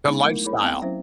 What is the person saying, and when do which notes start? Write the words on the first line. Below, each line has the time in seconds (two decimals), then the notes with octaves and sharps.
The lifestyle
0.06 G#3 B3 D4 D#4 B5
0.23 F#3 A3 D#4 E4 A#4
0.45 E4 G#4 A#4 C#5 B5
0.60 B3 C4 D#5 F5 G5
0.82 F#3 C#4 E4 C5